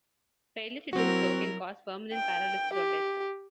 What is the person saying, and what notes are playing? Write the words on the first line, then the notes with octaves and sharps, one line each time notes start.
Failure to do so can cause permanent paralysis or death.
F#3 C4 E4 F#4 A#4
G5
G4